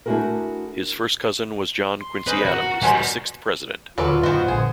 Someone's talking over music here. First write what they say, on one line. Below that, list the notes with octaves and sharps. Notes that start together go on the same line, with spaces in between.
His first cousin was John Quincy Adams, the sixth President.
A3 D4 E4 F#4 G#4 A#4
C6
C#4 B4 C5 D#5
F#4 A#4 F#5
B2 G3 F#4 G#5 C6
D#1 D3 F#3 F4 A4 B4 D5
F#2 A2 D#3 B3 F#4 C5
A#1 D3 G#4